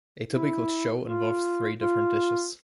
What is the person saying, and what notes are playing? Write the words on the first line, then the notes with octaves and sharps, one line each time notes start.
A typical show involves three different dishes.
E4
F4
F4